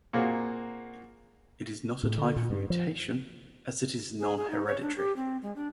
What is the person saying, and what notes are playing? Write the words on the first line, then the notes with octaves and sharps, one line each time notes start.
It is not a type of mutation, as it is non-hereditary.
A#2 A#3 C4 F#4 G#4
A2
D3
A#2
G2
F3
G#4
G#4
D#4
C#5
D4
G4
C4
G#3
D4